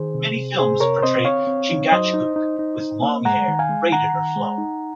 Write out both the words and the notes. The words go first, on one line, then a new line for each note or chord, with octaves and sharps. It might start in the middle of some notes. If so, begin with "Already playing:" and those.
Many films portray Chingachgook with long hair, braided or flowing.
Already playing: D#3 G#4 C5
C3
C3
C3 G#4 C5
C3 A#4 C#5
C4 C5 D#5
C4 C#5 F5
C4
D#4
F#3 C5 D#5
D#4
D#4
D#4
D#4
A#3
G#3 F#5 A#5
D#3
F5 G#5
G#3
D#3 F#5 A#5
D#3
G#3
D#4